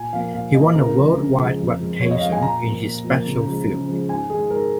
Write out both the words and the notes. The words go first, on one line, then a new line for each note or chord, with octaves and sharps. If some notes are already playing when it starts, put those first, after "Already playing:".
He won a worldwide reputation in his special field.
Already playing: A#2 G#5
F3 A#3 F5
A#2 F5
F3 A#3 D#5
C#3 A#4
F3 G#3
C#3
F3 G#3
F2
F3 G#3
F2 C#5
D#5
F3 G#3 F5
G#5
A#2 A#5
F3 A#3
A#2
F3 A#3
C#3
F3 G#3
C#3
F3 G#3
G#2 G#5
D#3 G#3 G#4
G#2 A#4